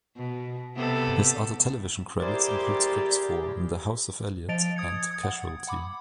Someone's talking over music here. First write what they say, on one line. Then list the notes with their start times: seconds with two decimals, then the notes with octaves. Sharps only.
His other television credits include scripts for "The House of Eliott" and "Casualty".
0.17 B2
0.75 C3 B3 A4
2.21 E4 G4 G#4 A#4 C5 D5
4.49 F3 D#5 A6 D7 F7
4.76 D#6 G#6 A6 C#7
5.11 D#6 G#6
5.23 F#5
5.67 F#5 B5 D6